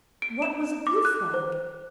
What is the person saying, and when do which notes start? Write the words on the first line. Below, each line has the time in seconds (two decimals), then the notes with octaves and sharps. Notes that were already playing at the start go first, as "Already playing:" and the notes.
'What was a goose like?'
0.22 D7
0.42 E7
0.87 D6
1.05 F#6
1.34 C5